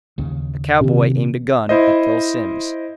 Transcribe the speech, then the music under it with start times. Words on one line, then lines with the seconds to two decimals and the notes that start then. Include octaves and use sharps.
A cowboy aimed a gun at Phil Simms.
0.18 D#2 C#3
0.81 C3 D#3 C#4
1.69 E4 C5 D#5